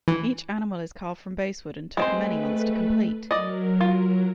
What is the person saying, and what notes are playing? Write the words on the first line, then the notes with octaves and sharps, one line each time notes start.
Each animal is carved from basswood and took many months to complete.
E3
G#3 A3 C4 B4 C5
F#3 A#4 D5 D#5
F4